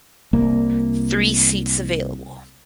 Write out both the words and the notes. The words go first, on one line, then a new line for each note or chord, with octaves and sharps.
Three seats available.
C2 A#3